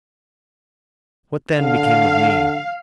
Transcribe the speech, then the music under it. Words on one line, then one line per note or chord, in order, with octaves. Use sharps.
What then became of me?
D3 F5